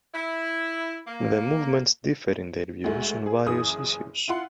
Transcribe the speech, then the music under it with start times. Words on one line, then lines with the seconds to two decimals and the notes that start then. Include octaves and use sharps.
The movements differ in their views on various issues.
0.14 E4
1.07 A#3
2.84 D2 G#3 A3
3.26 G#4
3.46 F#1 E3 G#4 D#6
4.28 E4 F4 F#5 C6